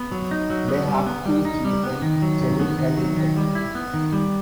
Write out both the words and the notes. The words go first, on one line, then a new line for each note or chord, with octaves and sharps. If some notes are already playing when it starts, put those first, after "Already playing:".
They have two children, Jennie and Ethan.
Already playing: B3
F#3
D#4
F#3
B3
G3
B3
G3
D#4
G3
B3
D#3
F#3
D#3
B3
D#3
F#3
D#3
G3
E4
B3
D#3
G3